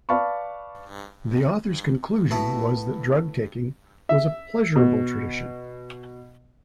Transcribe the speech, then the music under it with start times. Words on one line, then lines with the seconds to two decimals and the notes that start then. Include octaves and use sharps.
The authors' conclusion was that drug-taking was a pleasurable tradition.
0.09 B4 D5 F5 A5 B5 C#6
2.31 A2 A3 B3 F#4
4.09 E5
4.76 B2